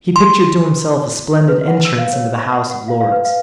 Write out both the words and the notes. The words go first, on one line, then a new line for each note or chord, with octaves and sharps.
He pictured to himself a splendid entrance into the House of Lords.
C6
B4
F#5
E6
F5
C#5
C#6
F#5
F#5
F5
F5
B4
F5